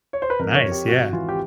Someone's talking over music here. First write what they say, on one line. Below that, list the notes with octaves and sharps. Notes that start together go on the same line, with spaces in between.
Nice, yeah.
C#5
C5
B4
F2 A#4
C#5
F2
G4
G#1 F#4
E3 F4
G4